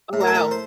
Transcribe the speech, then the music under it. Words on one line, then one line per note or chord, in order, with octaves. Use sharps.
Oh, wow.
A2
A#4
A4
A3 A#4
C5